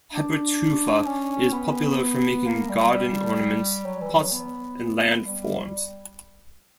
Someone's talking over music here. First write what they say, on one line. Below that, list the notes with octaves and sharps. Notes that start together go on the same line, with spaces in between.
Hypertufa is popular for making garden ornaments, pots and land forms.
D4
C#4
B3
A#3
G3
G3
F#3
E3
F#3
B3
G3